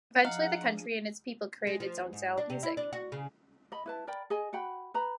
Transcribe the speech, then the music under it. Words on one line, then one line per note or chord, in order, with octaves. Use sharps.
Eventually the country and its people created its own style of music.
F3 D4 G#4 D#5 F5 F#5 A#5
G#3
F3
E2
G#2
D4
C3
E4
D4
F#4
C#3
D#5 B5
E4 B4 A5
A#4 D5 G5 B5
G#4 D#5 G#5
F#4 F#5 G5 B5
B4 A#5 B5